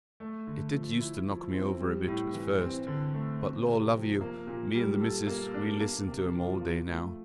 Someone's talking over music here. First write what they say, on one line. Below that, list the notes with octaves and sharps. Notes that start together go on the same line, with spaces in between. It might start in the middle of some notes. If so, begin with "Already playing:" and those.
It did used to knock me over a bit at first, but, lor love you! me and the missus we listens to 'em all day now.
A3
D3
F3
E4
F3
C4
G3
A2
E3
C4
D3
A3
C4
C3
F3
A#3
A#2
G3
A4
A#3
D4
A#3
C3
F3
F4
A3